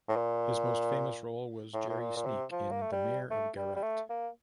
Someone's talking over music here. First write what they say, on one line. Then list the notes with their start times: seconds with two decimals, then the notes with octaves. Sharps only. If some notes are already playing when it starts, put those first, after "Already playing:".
His most famous role was Jerry Sneak in "The Mayor of Garratt".
0.09 A2
0.16 A#2
1.73 A2
1.89 A2
2.00 A#2
2.16 A#2
2.26 C3
2.52 F3
2.71 A#3
2.81 A3
2.92 G3
3.30 A3
3.57 G3
3.76 G3
3.83 A3
4.10 A#3